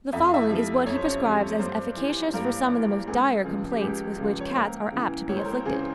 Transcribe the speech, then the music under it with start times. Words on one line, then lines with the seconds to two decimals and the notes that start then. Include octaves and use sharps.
The following is what he prescribes as efficacious for some of the most dire complaints with which cats are apt to be afflicted.
0.12 F2 E5
0.24 F5
0.34 E4 E5
0.49 C3 F3
0.86 F2 C#5
0.95 C5
1.04 C#4 C#5
1.23 C3 F3
1.59 G2 C4 C5
1.97 E3
2.34 G2 A#3 A#4
2.71 E3
3.07 C#2 G#4
3.44 C#3 F3
3.71 G4
3.81 C#2 G#4
4.19 C#3 F3
4.40 C#5
4.48 C5
4.55 C#2 A#3 A#4
4.92 C#3 E3
5.29 C#2 C#5
5.37 C5
5.44 A#4
5.51 C4 C5
5.65 C#3 E3 G#4